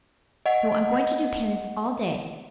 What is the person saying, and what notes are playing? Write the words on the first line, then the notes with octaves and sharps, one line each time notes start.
So I'm going to do penance all day.
D#5 F#5